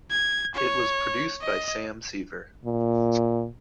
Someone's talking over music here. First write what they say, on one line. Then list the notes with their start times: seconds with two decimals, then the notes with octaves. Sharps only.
It was produced by Sam Sever.
0.11 G#6
0.55 C#5
1.41 D#5
2.65 A#2